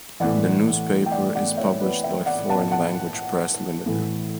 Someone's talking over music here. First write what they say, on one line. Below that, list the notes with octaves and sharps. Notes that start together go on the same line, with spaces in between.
The newspaper is published by Foreign Language Press Ltd.
A2 E3 D5 F#5
G5
D5 F#5
D5 F#5
C#5 E5
B4 D5
E5 G5
D5 F#5
F#5 A5
F#5 A5
A2 E3